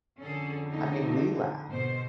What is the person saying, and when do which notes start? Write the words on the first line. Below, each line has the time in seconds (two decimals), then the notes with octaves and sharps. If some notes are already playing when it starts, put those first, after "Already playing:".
I mean, we laugh,
0.20 F2 D3 C#4 G#4 A4
0.70 A3 A#3 D#4
1.67 G#2 B2 C5